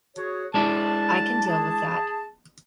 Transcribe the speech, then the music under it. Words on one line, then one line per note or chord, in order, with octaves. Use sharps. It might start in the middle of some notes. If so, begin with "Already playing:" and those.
I can deal with that.
F#4 G#4 C#5
G#3 D4 E4 A5
G#4 A5